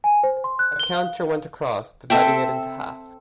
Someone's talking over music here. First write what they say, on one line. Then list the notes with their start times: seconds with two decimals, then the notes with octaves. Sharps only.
A counter went across, dividing it into half.
0.04 G#5
0.23 C5
0.44 C6
0.59 F#6
0.80 G7
0.94 F5
2.10 C4 A4 E5 G5